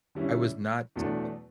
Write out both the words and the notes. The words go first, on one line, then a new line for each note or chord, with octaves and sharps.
I was not I
D3 G3 C#4 E4
E2 B2 F#3 A3 D4